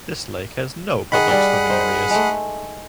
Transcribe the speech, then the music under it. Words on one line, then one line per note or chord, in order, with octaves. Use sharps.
This lake has no public swimming areas.
D#3 G#4 F#5 B5
G3 D5 D#5
D#4 C5
G#3 A3